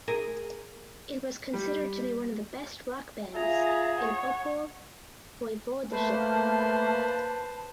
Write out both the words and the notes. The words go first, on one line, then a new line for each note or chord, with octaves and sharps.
It was considered to be one of the best rock bands in Opole Voivodeship.
G#4 A#4
G3
F4 G#4 E5 A#5
C#5 F#5
A3 A#3 B4 C5 A5 B5